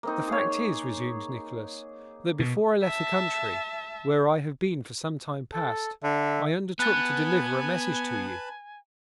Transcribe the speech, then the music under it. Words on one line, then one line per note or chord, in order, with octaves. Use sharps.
'The fact is,' resumed Nicholas, 'that before I left the country, where I have been for some time past, I undertook to deliver a message to you.'
A#3 C4 D#4
G#4 C#5
B2
E5 A5
A4
D3 E5
B3 B4 G#5 A5 B5 F#6 A6